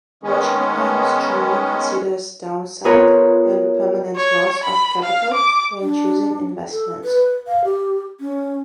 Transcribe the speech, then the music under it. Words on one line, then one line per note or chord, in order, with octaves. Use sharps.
Wachenheim strongly considers downside and permanent loss of capital when choosing investments.
D#3 G#3 B3 C#4
B3 F4 G#4 A#4 B4 C#5
C#5
B5
F5
D6
D4
A4
B4
F5
G4
C#4